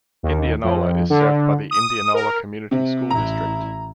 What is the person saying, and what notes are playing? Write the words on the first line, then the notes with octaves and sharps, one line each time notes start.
Indianola is served by the Indianola Community School District.
D#2
F2
D3
D#6
A#4
C3
A1 E4 A#5